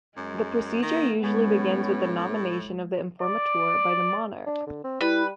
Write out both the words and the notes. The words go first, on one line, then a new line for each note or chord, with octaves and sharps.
The procedure usually begins with the nomination of the "Informateur" by the monarch.
F#2 G#3
D#3 A#3
A2 G#3 B3 C#4
D5
D4
D3
C4
G3 E4 B4